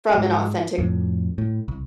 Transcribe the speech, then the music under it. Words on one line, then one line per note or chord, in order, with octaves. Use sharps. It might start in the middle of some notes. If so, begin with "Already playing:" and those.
from an authentic
G#2 G#3
F2 A2
A2
C2